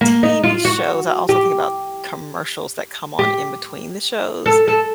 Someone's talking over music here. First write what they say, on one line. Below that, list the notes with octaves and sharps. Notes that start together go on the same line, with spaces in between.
TV shows, I also think about commercials that come on in between the shows,
A#3
D#4
F4
F#4
G4
G4
A4
A4